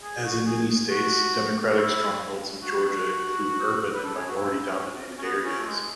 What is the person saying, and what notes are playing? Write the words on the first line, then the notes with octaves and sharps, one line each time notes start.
As in many states, Democratic strongholds in Georgia include urban and minority-dominated areas.
G#4
F#4
G#4
F#4
F#4
E4
F#4
B4
A4
G#4
F#4
E4
C#4
C#4
B3
C#4
A3
G#3